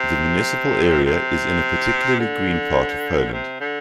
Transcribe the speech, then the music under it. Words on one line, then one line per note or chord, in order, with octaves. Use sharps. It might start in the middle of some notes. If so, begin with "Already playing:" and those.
The municipal area is in a particularly green part of Poland.
Already playing: C3
C3
D3
C3
D3